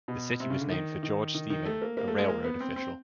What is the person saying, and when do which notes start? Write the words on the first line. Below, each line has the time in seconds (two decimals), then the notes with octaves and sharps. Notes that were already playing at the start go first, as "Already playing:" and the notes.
The city was named for George Stephen, a railroad official.
0.08 B2
0.40 C3
0.50 C#3
0.61 D3
0.71 D#3
1.03 D#3
1.35 D#3
1.50 D#3
1.65 A3
1.82 A#3
1.97 A#3
2.07 A3
2.18 G#3
2.28 A#3
2.44 B3
2.60 C4
2.76 C4